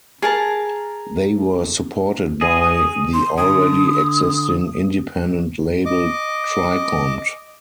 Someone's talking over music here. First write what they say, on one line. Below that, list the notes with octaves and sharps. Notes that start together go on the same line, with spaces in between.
They were supported by the already existing independent label Trikont.
G#4 A#4 A5
G#4 D#5 G#5
C6
D3 D#6
D#5 D6